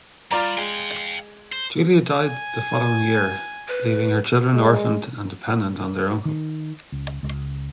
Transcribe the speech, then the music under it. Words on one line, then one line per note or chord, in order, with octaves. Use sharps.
Julia died the following year, leaving her children orphaned and dependent on their uncle.
G3 F4 D5 A#5
G#3 F5 G5
C5
G#5
B4
G#3
D#3
C#2
C#2